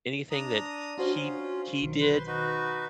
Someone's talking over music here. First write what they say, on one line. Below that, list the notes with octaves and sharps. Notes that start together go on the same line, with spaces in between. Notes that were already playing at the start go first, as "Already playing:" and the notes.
Anything that he he did,
D4 A#5 D#6
C#4 D4 F4 F#4 C5
B1 D#3
B4 C5 C6
D#4 F#4 B4